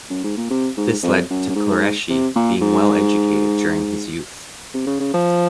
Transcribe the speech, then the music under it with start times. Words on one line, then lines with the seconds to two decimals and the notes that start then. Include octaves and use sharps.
This led to Qureshi being well educated during his youth.
0.10 F#2
0.24 G#2
0.37 A#2
0.50 C3
0.77 G#2
1.03 F2
1.30 F#2
1.49 F#2
1.55 G#2
2.09 C3
2.35 A#2
2.61 G#2
4.74 C3
4.86 C#3
5.00 C#3
5.14 F3